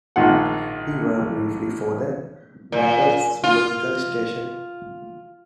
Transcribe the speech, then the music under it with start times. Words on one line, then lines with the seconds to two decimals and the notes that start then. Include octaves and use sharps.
He worked briefly for the Naples Zoological Station.
0.16 A#1 D#3 F4 G#4 F#5
2.72 A#2
3.44 F4